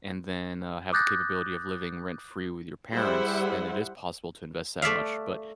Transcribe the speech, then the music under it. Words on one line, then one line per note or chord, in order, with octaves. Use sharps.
and then, uh, have the capability of living rent-free with your parents, then it is possible to invest that much, but
D6 D#6 F#6 G6 A6 A#6
G3 E4 G#4 C5 E5 F#5
A3 D5 E5 F5